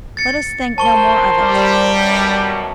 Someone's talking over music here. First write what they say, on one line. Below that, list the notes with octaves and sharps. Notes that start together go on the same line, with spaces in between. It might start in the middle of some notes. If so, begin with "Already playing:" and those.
Let us think no more of it.
A6 C#7
F2 A#4 C5 A5 C#6 G7
G3
F#2 B2